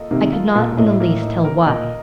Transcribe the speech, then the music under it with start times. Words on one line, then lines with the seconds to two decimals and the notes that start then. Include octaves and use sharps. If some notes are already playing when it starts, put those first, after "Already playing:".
I could not in the least tell why.
Already playing: A#3 F4 A4 D#5
0.11 C3 D#3 A#3
0.33 F4
0.55 A#2 A4
0.72 A#2
0.77 A2 D#5
1.00 A#3
1.23 D#4
1.45 A#4
1.66 A#2 D#5